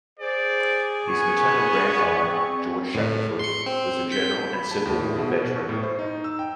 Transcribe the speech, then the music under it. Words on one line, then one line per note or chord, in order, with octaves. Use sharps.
His maternal grandfather, George Shackelford, was a General and Civil War veteran.
G#4 C5 D5
B3 G#5 C#6
C4
A2
C6 C#7
C4
G6 B6
B5
A5
D#2
A2
B2
B2
C#6
A2
C5
D#4
E6
G5